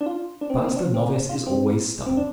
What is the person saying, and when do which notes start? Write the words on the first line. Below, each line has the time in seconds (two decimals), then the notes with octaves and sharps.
But the novice is always stubborn.
0.01 D4
0.06 F4
0.41 D4
0.50 C4
0.57 A#3
0.66 C4
0.76 D4
0.94 C4
1.12 D4
1.29 F4
1.47 C4
2.06 C4
2.17 D4